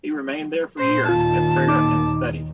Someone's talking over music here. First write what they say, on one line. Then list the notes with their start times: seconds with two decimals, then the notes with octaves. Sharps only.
He remained there for years, at prayer and study.
0.79 A#2 C5
1.09 D#2 A#2 D#3 F4 A5
1.68 D#4 D6